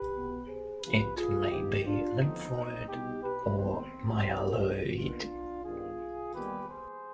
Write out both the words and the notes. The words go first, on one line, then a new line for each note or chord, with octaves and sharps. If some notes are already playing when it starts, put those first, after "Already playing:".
It may be lymphoid or myeloid.
Already playing: G4 B4
B2 B3
G#4 C5
D2 C3 F3 B3 G4 B4
F4 G#4
G2 D#3 B3 D#4 G4
D4 F4
D2 D3 F3 B3 C4 D#4
C2 B2 B3 D#4 G4
G4 B4
D#2 D#3 G#3 B3 C4
C2 B2 G3
D#2 D#3 B3 D4 F4
G2 D#3 G3 B3 F4 G#4
D#2 D#3 G3 B3 G4 B4
G#4 C5